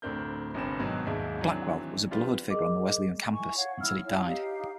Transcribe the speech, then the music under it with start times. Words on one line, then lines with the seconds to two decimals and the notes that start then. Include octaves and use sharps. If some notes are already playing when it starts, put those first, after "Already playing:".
Blackwell was a beloved figure on the Wesleyan Campus until he died.
0.02 D2 A2 C4 D4 A#4 G6
0.54 G1 G2 C3 C4 E7
0.79 G#2 B2 D#3 F#3
1.07 D#2 G#2 G#4 D5 E5 A5
1.39 D#3 E3 F#3 C4 D4
2.11 D4 F4 G4 B4
2.50 G#4 A#4 D#5 D6
3.32 E4 G#5 C#6
3.56 C#5 F5 F#5
3.80 E4 E6 F6
4.04 E4 C#5
4.26 D#4 G4 F5